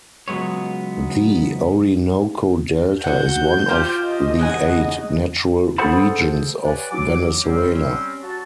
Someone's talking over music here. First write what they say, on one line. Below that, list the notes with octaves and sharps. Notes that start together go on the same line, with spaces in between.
The Orinoco Delta is one of the eight natural regions of Venezuela.
C#2 F#3 G#3 B3 C#5
F#4 F#5 G6
F4 G4 C5
D#5
C#3 F#5 G#5
G#4 A4 C5 F#5 A5 B5
G4 B4 C#5 D5 F#5 G#5
F#3 D6
G3 C4 C#4
F#4 A5